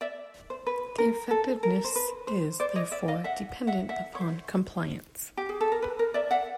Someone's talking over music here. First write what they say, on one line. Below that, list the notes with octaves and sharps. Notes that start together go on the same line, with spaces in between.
The effectiveness is, therefore, dependent upon compliance.
D5 E5
C5
B4
A#4
A4
A#4
C5
B4
C5
C5 D5
C#5 D#5
D5 E5
D#5 F5
E5 F#5
E5 F#5
E5 F#5
C#5
C5
G4
G#4
A4
A#4
B4
A#4
D5 E5
E5 F#5